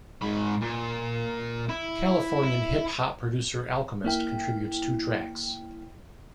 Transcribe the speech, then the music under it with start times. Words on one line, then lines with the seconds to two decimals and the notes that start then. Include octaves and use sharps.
Californian hip-hop producer Alchemist contributes two tracks.
0.22 G#2 B5
0.61 A#2
1.69 E4
2.43 E4
4.05 A#3 E4 G5